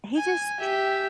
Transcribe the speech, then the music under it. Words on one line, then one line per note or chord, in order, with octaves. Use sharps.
"He just ch
G#5
G4 E5